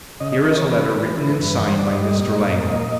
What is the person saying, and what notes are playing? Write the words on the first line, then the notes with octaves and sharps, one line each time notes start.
Here is a letter written and signed by Mr. Langmore.
C#3 D#5
D#5
E3 D#5
C#5
C#3 B4
E3
E3
G2
G2 C5
D5
G3 D#5
D#5
A#2
A#3
A#2